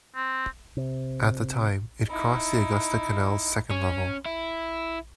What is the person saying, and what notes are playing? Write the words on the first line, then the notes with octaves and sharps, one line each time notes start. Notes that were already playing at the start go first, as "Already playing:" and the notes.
At the time, it crossed the Augusta Canal's second level.
C4
C3
D#4 E4
C#4
E4